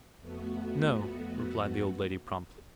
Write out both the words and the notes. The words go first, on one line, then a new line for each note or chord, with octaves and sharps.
"No," replied the old lady, promptly.
F2 A3 B3 F#4